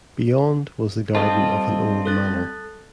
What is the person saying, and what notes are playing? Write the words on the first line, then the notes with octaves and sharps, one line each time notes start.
Beyond was the garden of an old manor.
G3 C4 F4 A4 D#5 A5
A4 F#6 A6